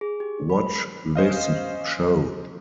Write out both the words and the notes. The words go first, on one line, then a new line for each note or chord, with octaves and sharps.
Watch this show.
G#4
G4
B5
C#4 C5 D#5 F5